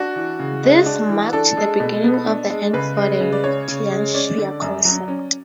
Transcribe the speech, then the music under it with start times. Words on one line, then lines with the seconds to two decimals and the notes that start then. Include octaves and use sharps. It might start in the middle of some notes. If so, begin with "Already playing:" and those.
This marked the beginning of the end for the "tianxia" concept.
Already playing: D4 F#4
0.16 E3
0.39 C#3
0.63 G#3
0.86 D4
1.09 E3
1.33 D4 A4
1.57 G#3
1.80 B2
2.04 B3
2.26 D4
2.50 G#3
2.73 C#3 B4
2.97 G#3
3.21 C#3
3.32 D5
3.44 C#4 C#5
3.68 C#3
3.92 G#3
4.14 C#4 D5
4.38 D3
4.62 F#2
4.85 F#3
5.08 C#4